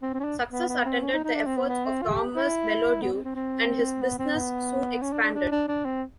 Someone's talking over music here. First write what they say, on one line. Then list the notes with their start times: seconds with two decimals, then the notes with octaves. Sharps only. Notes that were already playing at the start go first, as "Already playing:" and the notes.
Success attended the efforts of Thomas Mellodew and his business soon expanded.
0.02 C4
0.14 C4
0.20 C#4
0.24 D4
0.52 B3
0.69 B3
0.85 C4
1.02 C#4
1.13 D#4
1.24 D#4
1.35 D4
1.46 C4
1.57 B3
1.68 B3
1.85 C4
2.01 F4
2.08 G#4
2.13 G4
2.36 E4
3.02 B3
3.13 C4
3.24 C4
3.35 C4
4.01 B3
4.18 C4
4.35 B3
5.01 C#4
5.13 D4
5.23 D4
5.35 D4
5.51 D4
5.68 D4
5.85 C4